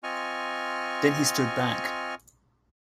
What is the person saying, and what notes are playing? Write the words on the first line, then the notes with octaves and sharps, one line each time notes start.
Then he stood back.
C4 F4 D#5 G#5 C#6 F6